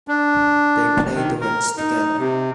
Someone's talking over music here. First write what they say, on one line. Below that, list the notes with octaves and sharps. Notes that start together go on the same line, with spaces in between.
They play duets together.
D4
D#3
A#4
D#4
C3